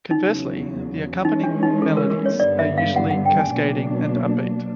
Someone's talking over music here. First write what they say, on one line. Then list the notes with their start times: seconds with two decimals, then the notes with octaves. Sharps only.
Conversely, the accompanying melodies are usually cascading and upbeat.
0.11 E2 C#3 F#3 D#4
1.25 E3 G#3 C#4 D#4
1.44 D4
1.63 D#4
1.82 A4
1.97 A#4
2.10 A#4
2.26 C#5
2.39 G2 D3 G3 B3 D5
2.59 E5
2.78 F5
2.96 F#5
3.11 F#5
3.25 G5
3.39 G#5
3.53 B2 F#3 A#3 D4